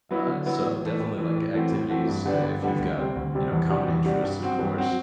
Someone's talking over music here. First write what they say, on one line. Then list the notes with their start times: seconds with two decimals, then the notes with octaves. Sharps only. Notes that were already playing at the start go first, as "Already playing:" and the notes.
Uh, so, definitely, like, activities, eh, if you've got, you know, common interests, of course.
0.11 F#3 B3 E4
0.27 D3
0.46 F#3 B3 E4
0.65 A2
0.82 E3 A3
1.00 A2
1.18 E3 A3
1.36 A2
1.54 E3 A3 C4 F#4
1.72 A2
1.90 E3 A3 C4 F#4
2.08 G2
2.26 D3 G3 B3 D4
2.44 G2
2.62 D3 G3 B3 D4
2.79 D2
2.98 C3 G3 C4
3.16 D2
3.33 C3 G3 C4
3.51 E2
3.70 C3 G3 D4 F#4
3.88 E2
4.06 C3 G3 D4 F#4
4.23 G2
4.41 F#3 C4 F#4
4.60 G2
4.77 F#3 C4 F#4